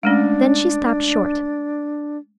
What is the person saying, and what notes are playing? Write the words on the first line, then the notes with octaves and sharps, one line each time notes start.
Then she stopped short.
G#3 A3 C#4 D4